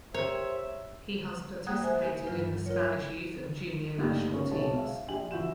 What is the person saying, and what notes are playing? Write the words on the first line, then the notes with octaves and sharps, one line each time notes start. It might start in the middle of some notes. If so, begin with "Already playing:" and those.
He has participated in the Spanish youth and junior national teams.
G4 A#4 C5 C#5 E5
A#3 F#5 G5 D#6 F#6 G#6
C5 E5 G#5 D#6 F#6
G4 G#5
G2 E3 F#3 F4
F#3
F4 A#4 C#5
G2 A3 A#3 D#4 G4
C#4 A#4
B1 G#3 F#4 C#5 A5
E5 F5
A#1 G4 G#5 F#7
E3 E4 F#4 G6 E7